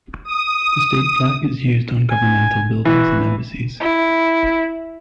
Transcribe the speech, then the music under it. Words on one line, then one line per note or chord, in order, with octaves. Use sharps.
The State flag is used on governmental buildings and embassies.
D#6
G#5
E3 F#4
E4